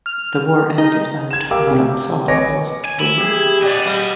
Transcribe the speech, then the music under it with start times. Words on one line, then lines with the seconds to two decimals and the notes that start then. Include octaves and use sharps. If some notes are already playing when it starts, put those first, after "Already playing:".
The war ended and Maranzano was the winner.
0.06 F6
0.78 D#4
1.31 G#6 E7
1.51 G4 A#4 F5 D6 E6
1.71 C3
2.28 B4 C#5 D#5 G#5 D6 A#6
2.85 G#5
3.00 E4
3.18 G4 G#4
3.62 A2 G4 D5 D#5 F#5
3.86 F#3